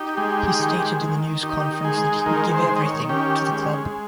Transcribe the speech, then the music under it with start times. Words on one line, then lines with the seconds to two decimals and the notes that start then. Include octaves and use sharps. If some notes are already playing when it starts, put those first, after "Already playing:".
He stated in the news conference that he would "give everything" to the club.
Already playing: D#4 G4
0.17 G#3
0.59 D#3
1.01 D#3
1.43 D#4 G4
1.85 G#3 G#4
2.26 D#3 A#4
2.54 C5
2.68 D#3
2.76 D#5
2.82 C#5
3.09 C#4 G4
3.51 G#3